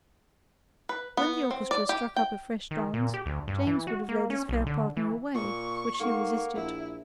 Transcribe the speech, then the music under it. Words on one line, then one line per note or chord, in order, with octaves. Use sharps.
When the orchestra struck up a fresh dance, James would have led his fair partner away, but she resisted.
B4
B3
C4
D5
G4
G5
D#3
A#2
G4
D2
G2
E3
F#4
A#3
C#4
B1
D3
E3
A#2 C#6
G#2 A#3 A4 F#5
A#1 E4